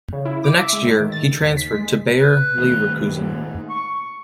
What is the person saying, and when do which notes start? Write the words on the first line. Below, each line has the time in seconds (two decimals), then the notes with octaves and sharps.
The next year, he transferred to Bayer Leverkusen.
0.13 C#3
0.25 E4
0.44 D6
0.60 E5
0.73 G#3
0.85 A2
1.00 D#3
1.12 A6
1.40 D#2
1.57 B6
1.71 G#3
2.20 B4
2.57 D#1 D#2 A2 C3
3.20 G#2
3.69 C#6